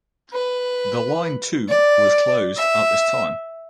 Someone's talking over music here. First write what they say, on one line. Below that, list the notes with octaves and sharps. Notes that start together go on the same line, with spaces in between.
The line to was closed at this time.
B4
D5
E5